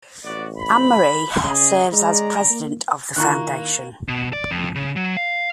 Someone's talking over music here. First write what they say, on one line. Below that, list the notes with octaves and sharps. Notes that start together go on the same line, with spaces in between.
Anne-Marie serves as president of the foundation.
A1 B3 F#4 D5
B5
C#3 G#4 D#5
G#3 D5 A#5
A#3
D#3 A#3 E4 F4 A#5 C#6 F#6
B2
D5
F2
C#3
F#3
F5